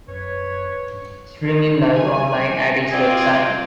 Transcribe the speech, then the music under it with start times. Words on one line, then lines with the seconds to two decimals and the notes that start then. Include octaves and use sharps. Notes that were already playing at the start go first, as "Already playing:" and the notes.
Streaming live online at its website.
0.08 F#2 B4 C#5
0.93 G2
1.94 G#5
2.91 C4 F4 D5 D#5 G#5